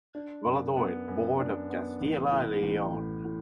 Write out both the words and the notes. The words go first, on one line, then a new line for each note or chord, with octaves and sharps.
Valladolid: Board of Castilla y León.
D4
F#2
B3
F#2
D4
B3
A1
A2
A1
A2
A2